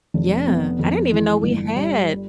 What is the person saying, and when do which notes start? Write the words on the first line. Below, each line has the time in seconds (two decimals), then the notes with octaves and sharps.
Yeah. I didn't even know we had
0.14 F1
0.47 B3
0.79 F2
1.11 E3
1.43 G1
1.76 G3